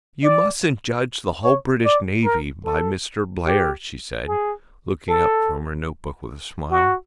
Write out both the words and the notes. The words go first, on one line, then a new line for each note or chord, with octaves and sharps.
"You mustn't judge the whole British Navy by Mr. Blair," she said, looking up from her note-book with a smile.
D5
C#5
D5
A#4
A4
G4
G#4
A4
F#4